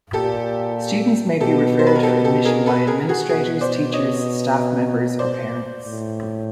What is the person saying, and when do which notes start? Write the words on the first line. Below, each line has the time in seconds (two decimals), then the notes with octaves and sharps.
Students may be referred for admission by administrators, teachers, staff members or parents.
0.13 A#2 G4 A4
1.40 B2 G4 A4
1.79 C5
1.87 B4
1.95 A#4
2.03 G4 A4
2.25 G4 A4
2.45 G#4 A#4
2.66 A4 B4
2.87 G#4 A#4
3.09 F#4 G#4
3.29 B2 F#4 G#4
3.61 C5 D5
3.93 C#5 D#5
5.19 C5 D5
5.82 A2